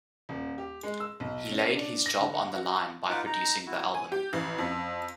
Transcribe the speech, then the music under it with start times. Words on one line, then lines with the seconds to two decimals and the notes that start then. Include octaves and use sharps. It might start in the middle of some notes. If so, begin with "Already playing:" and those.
He laid his job on the line by producing the album.
0.29 D#1
0.58 G4
0.83 G#3
1.00 E6
1.20 B1
1.52 C#4
1.76 D4
2.06 A#6
2.20 D3
2.34 F#5
2.56 F#4
3.10 D#4 F4 B4 F#5 D6
3.26 D#4 A#5
3.66 E4 F#4
3.94 G#5
4.12 G4
4.33 A1
4.58 F2